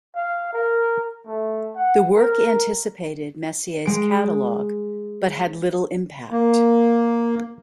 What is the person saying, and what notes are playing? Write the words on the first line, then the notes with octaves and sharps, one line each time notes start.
The work anticipated Messier's catalogue, but had little impact.
F5
A#4
A3
F#5
A#4
G#3 D7
A#3